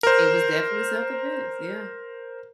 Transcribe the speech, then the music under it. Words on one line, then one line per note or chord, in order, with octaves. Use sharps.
It was definitely self-defense. Yeah.
A#4 C5